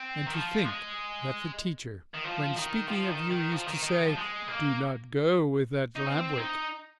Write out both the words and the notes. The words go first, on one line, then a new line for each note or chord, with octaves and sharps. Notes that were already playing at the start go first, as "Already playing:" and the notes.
And to think that the teacher, when speaking of you, used to say, 'Do not go with that Lamp-Wick!
Already playing: C4
D#3
F3
G#3
D#3
F3
D#3
F3
D#3
D#3
F3
D#3
D#3
F3
G#3
A#3
D#4
C4
D#4